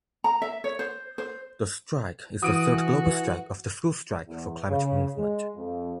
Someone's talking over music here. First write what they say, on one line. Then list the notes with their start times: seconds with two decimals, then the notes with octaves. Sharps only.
The strike is the third global strike of the school strike for climate movement.
0.24 A#5
0.42 E5
0.64 C#5
0.79 C5
1.18 C5
2.43 E3 F#4 D#6 D7 D#7
4.27 E2
4.69 C#3
5.16 G#3
5.56 F2